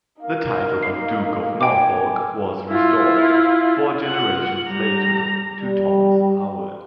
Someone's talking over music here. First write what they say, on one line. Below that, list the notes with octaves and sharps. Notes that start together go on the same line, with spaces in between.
The title of Duke of Norfolk was restored, four generations later, to Thomas Howard.
A#3 D#4 F5
C7
G5 G#5 D6
E4 F4
F4 F#5
G3 A#5
G3